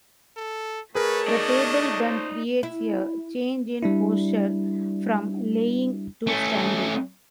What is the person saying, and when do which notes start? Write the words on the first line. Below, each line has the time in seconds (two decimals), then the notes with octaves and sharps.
The table then creates a change in posture from lying to standing.
0.37 A4
0.95 A3 G#4 A#4 B4 C#5 A5
1.28 D#4 D5 D#5
2.03 C5
2.63 E4
3.83 G3 D4 E4
6.27 A3 C#4